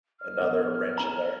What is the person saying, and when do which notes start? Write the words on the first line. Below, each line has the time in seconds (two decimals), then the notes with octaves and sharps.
another wrench in there.
0.20 F6
0.40 A#1 B3 F#5
0.98 A#5